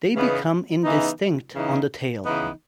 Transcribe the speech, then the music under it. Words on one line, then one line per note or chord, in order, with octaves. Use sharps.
They become indistinct on the tail.
C#3 E3 B3 D#4
C#3 E3 B3 D#4
C#3 E3 B3 D#4
C#3 E3 B3 D#4